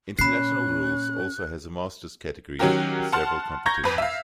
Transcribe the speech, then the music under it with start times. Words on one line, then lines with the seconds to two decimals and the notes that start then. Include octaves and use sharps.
International rules also has a masters category with several competitions.
0.19 A#2 C#4 B5 F#6 C7
2.59 D#3 F#3 C#4 F#4 G4 A#4
3.12 F#5 A5 C6 F6
3.66 A#5 C#6 G6 G#6 A#6
3.84 F2 B4
3.98 E5 F5